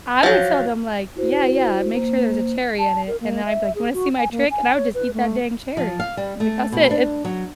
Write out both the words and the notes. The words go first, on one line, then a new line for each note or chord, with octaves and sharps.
I would tell them, like, "Yeah, yeah, make sure there's a cherry in it," and then I'd be like, "You wanna see my trick," and I would just eat that dang cherry, like, "That's it, it
F3 F#3
E4 F#4 C5
A#3 C5
A5
A#4
A#3
E5
G#4
F#4
G#5
A#3
G#5
C#5
B4
A3
F3
F5
G3
A3
B2
D4
F#3